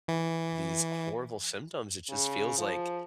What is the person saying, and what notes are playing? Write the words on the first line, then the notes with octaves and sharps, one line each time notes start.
these horrible symptoms, it just feels like,
E3
C#3
F3